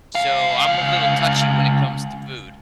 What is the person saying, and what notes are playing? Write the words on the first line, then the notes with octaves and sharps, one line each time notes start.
so I'm a little touchy when it comes to food.
C#2 F5